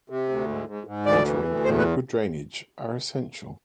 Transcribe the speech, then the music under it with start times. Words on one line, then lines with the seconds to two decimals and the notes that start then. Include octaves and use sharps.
Watering and good drainage are essential.
0.10 C3
0.29 D2
0.48 G#2
0.67 G#2
0.87 G#2
1.06 D2 D5
1.25 E3
1.45 D2
1.64 E2 C5
1.78 B4